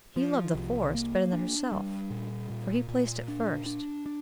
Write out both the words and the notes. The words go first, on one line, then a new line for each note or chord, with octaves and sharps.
He loved the Forest better than herself, for he placed it first.
F3
C2
A#3
D4
G3
A#2
A#2
A#2
D4
D4
D4